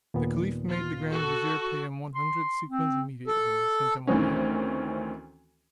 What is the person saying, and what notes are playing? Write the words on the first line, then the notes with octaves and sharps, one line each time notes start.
The caliph made the grand vizier pay him one hundred sequins immediately, and sent him away.
D#2 A#2 B3
F4
F#4 A4
C6
C4
A4
D2 D#3 E3 C4 C#4